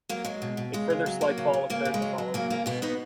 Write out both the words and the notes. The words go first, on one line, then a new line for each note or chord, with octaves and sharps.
A further slight fall occurred the following week.
F#3 A#3
F#3 G#3
B2
B2
C#3 G#3
C#3
F#3
F#3 A#3
C#3
C#3
C#3 A#3
C#3
G#3
F#3
F#3
C#3 A#3
C#3 A#3
B2 G#3 B3
B2 B3 D#4